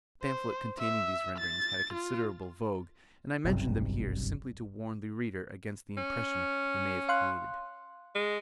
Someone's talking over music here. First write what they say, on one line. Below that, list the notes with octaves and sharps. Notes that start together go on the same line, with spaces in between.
The pamphlet containing these renderings had a considerable vogue, and I mention them here simply to warn the reader against the impression they may have created.
C5
E5
A6
F4
F#1 B1 G2 C3
C#4
F5 C6 F#6
G#3